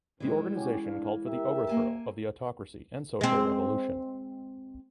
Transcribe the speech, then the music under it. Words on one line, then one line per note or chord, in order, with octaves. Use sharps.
The organization called for the overthrow of the autocracy and social revolution.
F2 A#2 E3 G#3 C4
C#4 F#4 G4
D4 F5
G4 A#4 E5
A#3 G#5 A5
G#3 C4